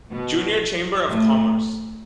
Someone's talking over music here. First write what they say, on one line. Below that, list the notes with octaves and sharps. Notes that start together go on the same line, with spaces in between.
Junior Chamber of Commerce.
B2
A2